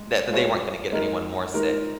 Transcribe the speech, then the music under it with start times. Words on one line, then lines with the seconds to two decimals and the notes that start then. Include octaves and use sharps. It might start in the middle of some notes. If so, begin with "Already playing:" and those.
th that they weren't gonna get anyone more sick.
Already playing: G#3
0.30 G#3 F4 G#4 C#5
0.92 G#3 D#4 A#4
1.54 G#3 D#4 A#4